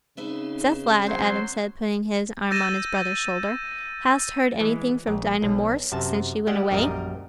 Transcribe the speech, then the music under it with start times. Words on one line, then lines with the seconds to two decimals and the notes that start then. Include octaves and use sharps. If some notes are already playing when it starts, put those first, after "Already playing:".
"Seth, lad," Adam said, putting his arm on his brother's shoulder, "hast heard anything from Dinah Morris since she went away?"
0.17 C#3 C4 D#4 B4 E5
1.06 F#3 F#4 C5
2.50 E6 G6 A6 A#6 D#7 E7
4.60 E3 G#3
5.07 A#1
5.42 B1
5.92 F#2 C3 A5
6.47 G3 G#3 G4 F#5
6.71 A#1 F#2 G3 A#4 D#5